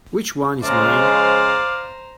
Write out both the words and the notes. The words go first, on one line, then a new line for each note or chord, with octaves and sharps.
Which one is mine?
C#3 F3 G#3 C5 D5 F5 A#5